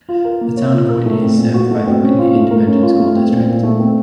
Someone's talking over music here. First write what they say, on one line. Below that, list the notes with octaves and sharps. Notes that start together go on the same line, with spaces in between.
The Town of Whitney is served by the Whitney Independent School District.
F4
A#4
A#3
C#5
F4
A#4
A3
C4
A#2
F#4
A3
C4
C#4
F4
A3
A#4
C#4
F4
A3
C4
A#2
A#2
A3
C4